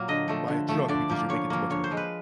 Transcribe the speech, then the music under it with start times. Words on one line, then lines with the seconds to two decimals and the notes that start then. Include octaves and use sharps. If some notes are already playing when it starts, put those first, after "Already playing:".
buy a truck because you're making too much money."
Already playing: A#2 F#3 A#3
0.08 D3 D#5
0.28 F3 A3
0.48 D3
0.69 F3 A3
0.88 D3 D5
1.10 F3 A#3
1.29 D3 C#5
1.50 F3 A#3
1.70 D3 C#5
1.84 C5
1.91 F3 G#3
1.97 B4